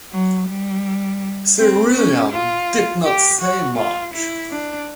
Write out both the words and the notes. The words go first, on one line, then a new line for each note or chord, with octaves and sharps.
Sir William did not say much.
F#3
G3
C4
C#4
F4
G4
F#4
F4
E4
D4